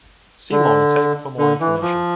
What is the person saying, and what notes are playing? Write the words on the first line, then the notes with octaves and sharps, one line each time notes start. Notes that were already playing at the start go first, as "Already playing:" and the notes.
See Long take for more information.
D3
D3
E3
F3